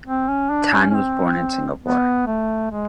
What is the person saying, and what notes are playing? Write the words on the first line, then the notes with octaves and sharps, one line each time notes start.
Tan was born in Singapore.
C4
C#4
D4
C#4
C#4
C4
B3
A3
G#3